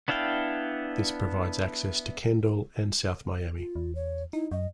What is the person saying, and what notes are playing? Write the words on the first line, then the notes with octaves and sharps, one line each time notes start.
This provides access to Kendall and South Miami.
B3 D4 E4 F5 G5
F4
E2
C#5
D#4 E4
F#2 D#5